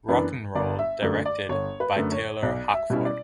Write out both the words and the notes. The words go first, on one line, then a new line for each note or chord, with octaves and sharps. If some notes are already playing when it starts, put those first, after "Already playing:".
Rock 'N' Roll, directed by Taylor Hackford.
F#2 E3 B3 D4 B4
G1 D5
E5
F#2 D3 A3 D5
D5
G1 C#5
B4
F#2 D3 A3
C#5
B1 D5
E5
B2 G3 C#4 E4
D5